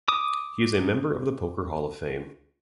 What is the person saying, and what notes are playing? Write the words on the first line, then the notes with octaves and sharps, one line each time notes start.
He is a member of the Poker Hall of Fame.
D6 D#6